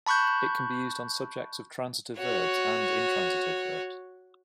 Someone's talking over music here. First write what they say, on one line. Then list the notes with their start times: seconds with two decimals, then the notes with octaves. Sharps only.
It can be used on subjects of transitive verbs and intransitive verbs.
0.07 A5 B5 C#6 F#6 G6
2.18 F#4 C#5